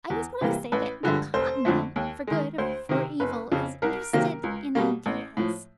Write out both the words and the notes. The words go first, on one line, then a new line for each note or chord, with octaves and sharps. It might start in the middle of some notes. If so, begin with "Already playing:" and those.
I was going to say that the Continent, for good or for evil, is interested in ideas.
E2
C3 E3 G3 A#3
A1 B4
G2 D3 F3 G#3
F1 C5
F2 D3 F3 A3
D#2
D#3 G#3
D2 C5
C3 D#3
F#1 B4
F2 C#3
C2 A#4
C3 D#3 F#3 A#3
C#2
B2 G3 A#3
A1
A2 F3